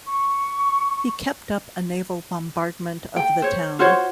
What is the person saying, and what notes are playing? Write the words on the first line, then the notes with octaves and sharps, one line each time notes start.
He kept up a naval bombardment of the town.
C#6
G5
C5 C#5
F4 F#4 C5 C#5